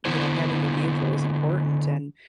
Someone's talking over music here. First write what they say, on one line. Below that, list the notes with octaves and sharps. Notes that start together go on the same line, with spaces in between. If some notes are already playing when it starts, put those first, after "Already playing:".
you know, having a vehicle is important, and,
D3 B3 E4 C5